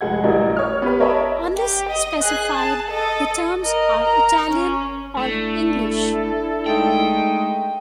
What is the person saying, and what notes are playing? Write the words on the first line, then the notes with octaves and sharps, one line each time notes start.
Unless specified, the terms are Italian or English.
F1 G#3 F#5 G#6
A1 G3 D#4 F#4 A#4
C#5 F6
B3 G4 B4
A#4 C#5 D#5 E5 A5 B5
G4
D#5
G#4 F#6
A5
A4 D#5
A#4 D#5
A#4 A#5
C#4
A3 D4 E4 A4
G#3 A3 D#4 G5